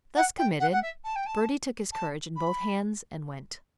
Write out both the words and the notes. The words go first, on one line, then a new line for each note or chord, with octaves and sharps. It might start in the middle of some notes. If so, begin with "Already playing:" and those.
Thus committed, Bertie took his courage in both hands and went.
F#5
G5
F#5
F#5
E5
A5
G5
A5
A5
B5